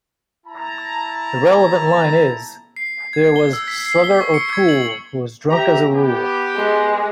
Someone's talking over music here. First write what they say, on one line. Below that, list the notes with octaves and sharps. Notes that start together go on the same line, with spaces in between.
The relevant line is: "There was Slugger O'Toole who was drunk as a rule".
E4 A5 A#5
C7
G#6
G7
E6
B6
C7
G7
C#6
C#7
G#6
F#7
G4 E5 A#5
B3 G4
G#3